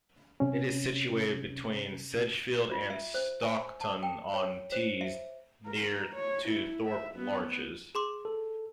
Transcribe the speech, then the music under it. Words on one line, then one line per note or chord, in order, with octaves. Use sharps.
It is situated between Sedgefield and Stockton-on-Tees, near to Thorpe Larches.
C3 C#4
F4
E5
C5
G#5
A5
G5
C#5
C5
E5
A#4
C#5
E4
E5
B3
G#4 C6 D6
A4